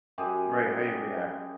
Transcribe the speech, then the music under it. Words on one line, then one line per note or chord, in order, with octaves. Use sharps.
Right, how you react?
F#2 G4 G#4